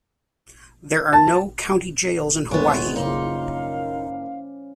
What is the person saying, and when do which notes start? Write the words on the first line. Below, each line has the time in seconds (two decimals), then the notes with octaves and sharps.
There are no county jails in Hawaii.
1.13 A5
2.51 D#1 G3 G#3 B3 C4 E4 C#5 C#6
2.96 F#1 C#3 D#4 F4 A#4 D5 F5